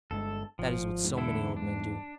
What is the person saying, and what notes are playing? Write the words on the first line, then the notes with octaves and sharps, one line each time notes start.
That is what so many old men do.
G1 G2 G#3 A4
G#1 F3
E2 G#2
D3 E4 A4
D4